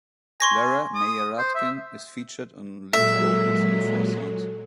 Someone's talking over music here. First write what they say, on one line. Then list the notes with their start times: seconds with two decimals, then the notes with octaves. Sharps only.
Lara Meyerratken is featured on lead vocals on four songs.
0.40 G#5 C6 C#6 A#6
0.95 D#6
1.38 C5
1.55 E5
2.93 A#2 F#3 G#3 A4 E5